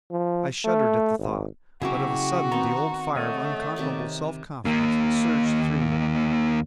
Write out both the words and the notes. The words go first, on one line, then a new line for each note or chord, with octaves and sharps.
I shuddered at the thought, but of a sudden the old fire of unconquerable self-confidence surged through me.
F3
A3
G#1
C#3 F#3 A#3 C#4 E4 F#4 G4
D#3 B3 C4 A#5
A3 C#5 D#5 F#5
C3 D#3 D5
D#2 A#3